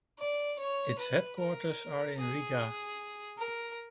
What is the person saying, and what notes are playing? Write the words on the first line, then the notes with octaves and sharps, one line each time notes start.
Its headquarters are in Riga.
D5
C#5
B4
A#4
G#4
A#4